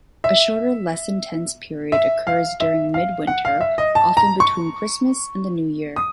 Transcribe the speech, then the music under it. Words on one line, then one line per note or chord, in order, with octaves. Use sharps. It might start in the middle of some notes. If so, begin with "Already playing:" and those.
A shorter, less-intense period occurs during mid-winter, often between Christmas and the new year.
E5
E5
F5
E5
F5
F#5
F5
E5
D#5
A5
A#5
C#6
D#6